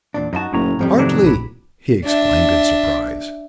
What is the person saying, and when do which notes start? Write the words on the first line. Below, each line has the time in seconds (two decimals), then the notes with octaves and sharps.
"Hartly!" he exclaimed, in surprise.
0.14 E2 A#2 D4
0.33 F#2 D#4 F4 F#4 A5
0.53 F#1 A2 C#4 A#5
0.79 F2 G#2 F3 G3
0.98 C3 D#3 F#3 A3 D4 D#4
1.23 A#1 B5
2.05 D4 E5